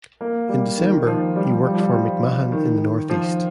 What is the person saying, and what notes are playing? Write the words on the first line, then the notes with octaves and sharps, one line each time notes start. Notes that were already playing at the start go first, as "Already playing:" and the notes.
In December, he worked for McMahon in the Northeast.
A#3
G3
D#3
D#3
F3
G3
F3
G3
F3
G3
F3
D#3
F3